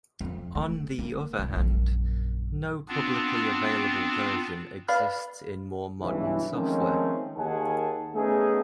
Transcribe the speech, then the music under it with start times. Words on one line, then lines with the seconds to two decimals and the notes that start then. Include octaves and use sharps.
On the other hand, no publicly available version exists in more modern software.
0.21 F2
0.55 A3
0.99 A#3
1.38 C2 F#2
1.56 A#1 F#2
2.89 B3 C4 D4 F4
4.88 B4 D5 F5 B5 F6
6.01 B1 G2 C#3 E3
6.52 D#3 F3 G#3 A3 C4 C#4
7.37 D#2 D#3 G#4 F#5 G#5 A5
8.15 A3 B3 C#4 D#4 G#4